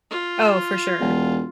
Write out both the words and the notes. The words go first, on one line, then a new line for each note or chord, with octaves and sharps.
Oh, for sure.
F4
E1